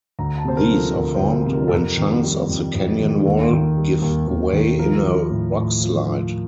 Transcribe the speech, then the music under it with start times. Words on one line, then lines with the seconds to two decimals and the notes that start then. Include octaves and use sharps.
These are formed when chunks of the canyon wall give way in a rockslide.
0.19 D2 A#5
0.38 A5
0.45 C3 C5
0.57 A#4
0.70 F3
0.76 A4
0.96 D2 A#4
1.15 C5
1.21 D2
1.34 A#4
1.47 C3
1.53 A#4
1.68 A4
1.72 F2 A#4
1.98 D#3
2.23 G3
2.49 F2
2.75 F2
3.00 D#3
3.26 D#2 A4
3.51 D#3
3.77 G3
4.02 D#2
4.28 D#2
4.53 D#3
4.79 F3 A#4
5.05 F3
5.30 A2
5.56 A2
5.82 F3
6.07 F3